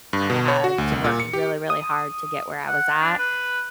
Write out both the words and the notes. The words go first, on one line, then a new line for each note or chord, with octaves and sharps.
I had to work really, really hard to get where I was at,
G2
B2
C#5
F#4
D2
C2
A#2
C#7
G4
D#6
F#5
D4
B4